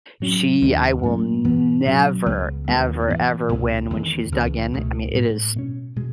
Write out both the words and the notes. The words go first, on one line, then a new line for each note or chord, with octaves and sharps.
she I will never, ever, ever win when she's dug in, I mean, it is
A2 F#3 C#4
D#2 D#3 G#3 C#4
G#2 F#3 A3 C#4
G#2 E3 B3
B2 F#3 C#4
C#2 C#3 G#3 B3
D#2 D#3 G#3 B3
G#2 E3 B3
C#2 B2 G#3 B3
E2 D#3 G#3
C#2 C#3 E3
C#2 B2 A3
A2 G#3 B3
B2 A3 C#4
B2 G#3